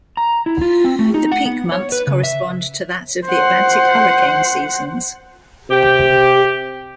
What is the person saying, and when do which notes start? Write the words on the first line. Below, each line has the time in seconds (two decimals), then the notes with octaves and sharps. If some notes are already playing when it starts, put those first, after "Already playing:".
The peak months correspond to that of the Atlantic hurricane seasons.
0.17 A#5
0.46 E4
0.61 F4
0.84 C4
0.99 A3
1.14 D#4
1.32 F#5
1.46 B3
1.72 C#5
1.92 B4
2.07 C#3
2.23 E5
3.25 C5 F#5
5.70 C3 G4